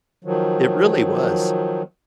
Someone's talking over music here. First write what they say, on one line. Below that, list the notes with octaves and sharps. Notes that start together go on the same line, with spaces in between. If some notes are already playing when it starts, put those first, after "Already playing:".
It really was.
D#3 F3 F#3